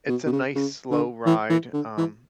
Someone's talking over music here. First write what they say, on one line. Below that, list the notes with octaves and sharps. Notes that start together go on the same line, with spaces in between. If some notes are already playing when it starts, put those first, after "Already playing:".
it's a nice slow ride, um,
B2
B2
C#3
C#3
D3
E3
E3
D3
E3